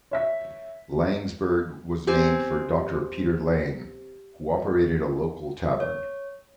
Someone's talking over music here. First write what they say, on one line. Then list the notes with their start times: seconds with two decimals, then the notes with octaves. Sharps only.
Laingsburg was named for Doctor Peter Laing, who operated a local tavern.
0.11 C#5 E5 B6
2.07 C4 G4 C5 G#5
5.80 C#5